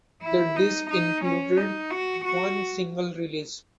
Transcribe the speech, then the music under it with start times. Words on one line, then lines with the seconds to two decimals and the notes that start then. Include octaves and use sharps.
The disc included one single release.
0.22 E4
0.56 D#4
0.90 D#4
1.24 C#4
1.57 D#4
1.90 F#4
2.24 F#4